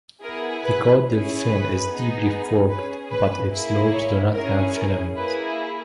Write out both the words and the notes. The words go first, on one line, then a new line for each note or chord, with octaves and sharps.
The caudal fin is deeply forked but its lobes do not have filaments.
B3 E4 G#4 A#4
B4
C#4 E4 G#4
B4
B3 D#4 G#4
C#4 G#4 B4
B4
A#3 E4 G#4
C#5
C#4 E4 G#4 A#4
A#4
A#3 E4 G#4 B4